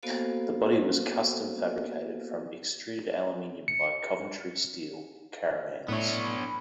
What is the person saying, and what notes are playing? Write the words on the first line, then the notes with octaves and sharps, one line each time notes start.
The body was custom fabricated from extruded aluminium by Coventry Steel Caravans.
A#3 B3 F#4 A4 C5 F5
C#7
A2 B3 D4 C#5 E5
B5